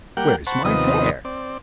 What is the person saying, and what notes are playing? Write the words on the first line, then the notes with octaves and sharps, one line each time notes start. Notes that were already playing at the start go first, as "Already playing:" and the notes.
Where's my hair?
G3 A#3 F#5 G5
C5 F#5 A5 B5 C#6
D#2 C3 F3 B3 D#5 D#6
C4 D5